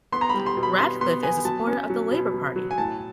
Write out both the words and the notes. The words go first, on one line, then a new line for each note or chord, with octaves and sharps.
Radcliffe is a supporter of the Labour Party.
B3 C6
A#5
G3 B5
C6
B2
B5
B3 C6
B3 C6
B3 G#5
F#3 A5
C#4
F#3
B2
F#3
F#3
G#5
A2 A5